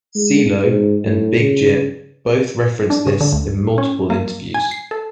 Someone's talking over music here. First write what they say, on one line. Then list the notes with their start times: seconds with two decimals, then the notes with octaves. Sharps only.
Cee-Lo and Big Gipp both referenced this in multiple interviews.
0.15 G#3
0.65 G#2
1.04 A2
1.39 C#3
2.90 D4
3.07 C#3
3.21 D3
3.33 D2
3.78 C#4
4.10 A#3
4.54 G#5
4.71 C7
4.91 A4